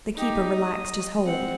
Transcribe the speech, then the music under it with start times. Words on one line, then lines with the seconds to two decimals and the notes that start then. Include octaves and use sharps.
The keeper relaxed his hold.
0.16 D#4 G4
0.53 D#5
1.24 C4 F#5